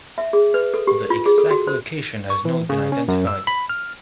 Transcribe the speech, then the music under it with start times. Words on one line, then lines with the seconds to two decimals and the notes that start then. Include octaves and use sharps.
The exact location has not been identified.
0.18 E5
0.33 G#4
0.54 B4
0.74 A4
0.87 G4
1.10 F4
1.26 G#4
1.38 A4
1.51 F#4
1.67 C5
2.30 C#6
2.45 E3
2.69 C#3
2.92 C#4
3.08 F#2
3.27 E6
3.47 B5
3.69 F6